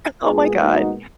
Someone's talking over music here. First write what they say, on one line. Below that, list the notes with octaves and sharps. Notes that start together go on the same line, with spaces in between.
Oh my god.
A#2 G#3 B3 F4 G#4
D#4 F#4